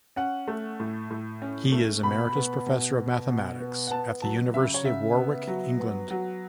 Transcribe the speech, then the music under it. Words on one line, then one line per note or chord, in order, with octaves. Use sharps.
He is Emeritus Professor of Mathematics at the University of Warwick, England.
C#4 F#5
A3
A2
A2
C#4
A3
B2 B5
B3
B2
B3
B2
B3
F#5
B3 A5
F#3 A5
C#3 E5
C#5
C#3 E5
B3
F#3
B3
F#3